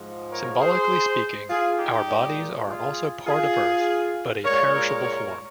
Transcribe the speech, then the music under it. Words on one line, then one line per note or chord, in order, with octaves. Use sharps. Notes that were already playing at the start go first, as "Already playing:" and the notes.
Symbolically speaking, our bodies are also part of earth, but a perishable form.
Already playing: G#2 F3 G#3
A#4 C#5
G#4 C5
F4 G#4
D#4 G4
A#2 G#3
F4 G#4
F4 G#4
A#2 G#3 A#4 C#5
A#4 C#5
A#4 C#5